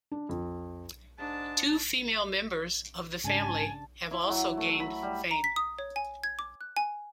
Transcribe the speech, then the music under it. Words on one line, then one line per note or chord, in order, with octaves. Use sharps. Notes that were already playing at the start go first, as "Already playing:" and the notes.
Two female members of the family have also gained fame.
D4
F2
G#2 G#3 D4 A5
G#2 C#3 D4 G#5 A5
E4
F#3
A3
B5
G3
A#5
B6
D#6
C#5
G#5
G#6
D6
F#6
G#5